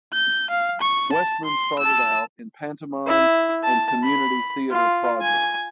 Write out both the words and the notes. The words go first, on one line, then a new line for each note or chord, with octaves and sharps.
Westman started out in pantomimes and community theatre projects.
G6
F5
C#6
A5
C6
A5 E6
E4
A5
B5
F4
G#5